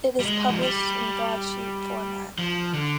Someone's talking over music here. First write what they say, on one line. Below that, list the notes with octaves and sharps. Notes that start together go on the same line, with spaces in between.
It is published in broadsheet format.
G3
G#3
F3
G3
F3
D3